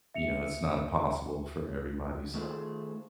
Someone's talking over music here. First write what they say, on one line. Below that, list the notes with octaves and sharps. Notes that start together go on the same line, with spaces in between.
you know, it's not possible for everybody, so
E5 C#7 F7
D#3 A3 F4 G#4 C5